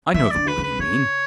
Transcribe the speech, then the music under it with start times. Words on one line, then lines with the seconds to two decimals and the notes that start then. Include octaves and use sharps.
I know the boy you mean.
0.14 E3 E5
0.31 D3 D5
0.47 B4
0.58 C#3
0.63 B4
0.79 C#3 C#5